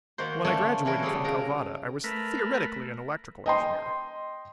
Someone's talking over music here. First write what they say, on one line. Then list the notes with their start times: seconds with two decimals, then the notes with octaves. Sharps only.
When I graduated from Calvada I was theoretically an electrical engineer.
0.18 D#3 A#3 F#4 C5
0.44 D3 A3 A#3 C#4 A4 C#5
0.85 D3 E3 C#4 A#4
1.03 A#2 F#3 G3 D4 G#4 A4
1.24 C#3 A#4 A#5
2.04 A3 A#4 B4
3.46 D#5 G5 C6